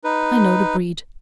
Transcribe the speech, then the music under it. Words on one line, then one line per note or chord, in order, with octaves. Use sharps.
I know the breed.
D#4 B4